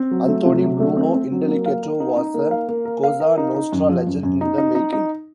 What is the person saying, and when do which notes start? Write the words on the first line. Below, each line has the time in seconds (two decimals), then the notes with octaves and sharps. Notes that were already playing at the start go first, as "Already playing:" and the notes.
Anthony "Bruno" Indelicato was a Cosa Nostra legend in the making.
Already playing: C4
0.11 F#3
0.28 A3
0.45 C3
0.62 F#3
0.80 A3
0.97 C4
1.14 C4
1.31 F#3
1.48 A#3
1.66 F5
1.83 A#4
2.00 D#4
2.17 D#4
2.34 A#3
2.51 F5
2.69 A#3
2.85 A#4
3.03 F5
3.20 A#4
3.38 D#4
3.55 D#4
3.73 F#2
3.89 F3
4.07 F#2
4.23 F#2
4.41 D#4
4.58 D#4
4.75 D#4
4.93 D#4